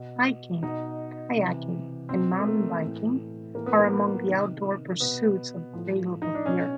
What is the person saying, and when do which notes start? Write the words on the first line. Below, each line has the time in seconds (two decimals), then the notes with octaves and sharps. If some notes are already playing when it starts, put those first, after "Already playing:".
Hiking, kayaking, and mountain biking are among the outdoor pursuits available here.
Already playing: B2
0.63 B2 D#4
1.37 C3 E3
2.09 B2 C4
2.40 A3
2.46 A#3
2.81 E3
2.86 A2
3.55 A2 E3 A#3
3.66 B3
3.79 A#3
4.28 C3 D#3
5.00 B2 B3
5.73 A2 F3
6.22 D#4
6.35 D4
6.46 B2 C#4